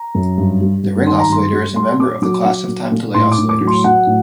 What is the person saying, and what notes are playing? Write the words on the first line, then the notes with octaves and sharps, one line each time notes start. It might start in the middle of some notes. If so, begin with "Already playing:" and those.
The ring oscillator is a member of the class of time delay oscillators.
Already playing: A#5
F#2
G2
G3
G2
D#3 C6
A#5
G2 C6
G3
A#2 C6
A#2 D6
F#3 D6
F#3
A#2
A#2
A2 C6
D6
A2
D6
F#3
C6
F#3 F#5
A2